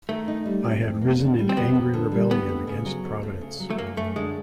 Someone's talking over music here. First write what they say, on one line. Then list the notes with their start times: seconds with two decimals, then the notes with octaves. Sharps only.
I had risen in angry rebellion against Providence.
0.09 D#3 A3
0.28 D#4
0.46 G3
0.64 C4
0.82 F2
1.01 A#3
1.19 D3
1.39 G3
1.49 C4
1.57 F2 B3
1.75 A#3
1.94 D3
2.12 G3
2.31 D2 B3
2.49 A3
2.67 C#3
2.86 F#3
3.05 D2
3.23 A3
3.41 C#3
3.60 F#3
3.70 A3
3.78 F#2 A#3
3.97 F#2 A3
4.16 D3 G#3